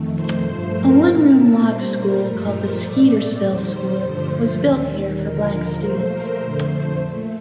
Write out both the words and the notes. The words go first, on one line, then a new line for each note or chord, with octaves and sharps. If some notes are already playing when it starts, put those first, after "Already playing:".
A one-room log school called the Skeetersville School was built here for black students.
Already playing: F2 D#3 A3
C5
G2 F3 A3
A#4
A#2 A3 A#4
A4
A#2 G3 C5
A#4
G2 F3 A3
C5
A2 A3 D5
F2 D#3 G3 C5
G2 D3 F3 A3 C5
D#2 D#3 G3
D#2 D3 F3 A#4
A#2 F3 A3 C5
A#4
F2 D3 A3 C5
A#2 A3